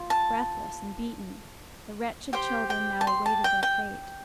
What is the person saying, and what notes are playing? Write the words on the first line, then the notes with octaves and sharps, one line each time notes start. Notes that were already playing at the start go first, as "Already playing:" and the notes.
Breathless and beaten, the wretched children now awaited their fate.
Already playing: F4
A5
G4 C5 G5
G5
A5
C6
A5
G5
G5